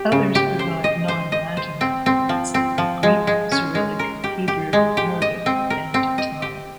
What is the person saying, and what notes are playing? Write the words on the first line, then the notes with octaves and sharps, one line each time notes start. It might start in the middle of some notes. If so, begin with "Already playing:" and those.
Others provide non-Latin alphabets: Greek, Cyrillic, Hebrew, Arabic and Thai.
Already playing: G4
C#3
G4
C5
D#5
C5
D#5
C5
C4
C4
F3
C4
F3
G#3
G#3
C#4
G#3
A#4
G4
G4
G#3
G4
D#5
C4
A#4
C4
D#5
G4